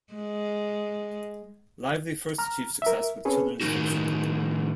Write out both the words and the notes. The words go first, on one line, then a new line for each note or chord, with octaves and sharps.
Lively first achieved success with children's fiction.
G#3
A#5 F6
A#4 E5
C4 C#4 G#4 A4 B4
A2 D#3 G#3 D#4 F#4